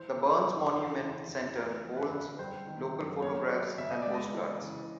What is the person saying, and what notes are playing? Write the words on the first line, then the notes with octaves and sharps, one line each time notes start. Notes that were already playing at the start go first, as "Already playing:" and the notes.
The Burns Monument Centre holds local photographs and postcards.
Already playing: E3 C5
C#3
E2
E3
C#3
E2
A3 A#4
F3
B4
D3
G3 C5
D#3
F#2
A#3 C#5
F#3 D5
C#3 E5
D#5
G#3 D5
D#5
E3
C#3